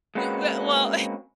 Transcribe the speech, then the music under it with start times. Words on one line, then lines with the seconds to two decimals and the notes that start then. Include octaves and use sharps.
you we well
0.15 G#3 A#3 C4 C#4 F#4 B4